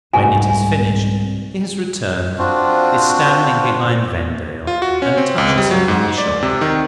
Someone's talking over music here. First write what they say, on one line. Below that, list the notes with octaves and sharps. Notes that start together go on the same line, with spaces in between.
When it is finished, he has returned, is standing behind Vendale, and touches him on the shoulder.
C2 G#2 F#4 G#5
C4 D4 F4 F#4
F4
F#4
C#4
C4
C#2
G3
F#3
G#2
D5
C3
D#3